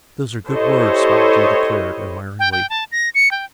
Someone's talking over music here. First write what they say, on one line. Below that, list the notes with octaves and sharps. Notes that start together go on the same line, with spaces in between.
"Those are good words," Spotted Deer declared, admiringly.
E4 G4 A4 C5 C#5 D#5
G5
G5
A5
A#6
C#7
G5